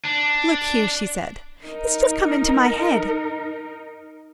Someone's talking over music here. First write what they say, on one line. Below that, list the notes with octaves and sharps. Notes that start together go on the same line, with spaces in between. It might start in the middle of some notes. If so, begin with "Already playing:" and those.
'Look here,' she said, 'it's just come into my head.
D4
D#4 A#4